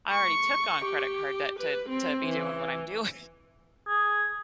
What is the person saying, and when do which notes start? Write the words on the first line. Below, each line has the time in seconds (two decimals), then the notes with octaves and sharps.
I already took on credit card debt to to be doing what I'm doing,
0.11 C#6
0.84 G4
1.59 B4
1.89 C4
2.23 E3
3.88 G#4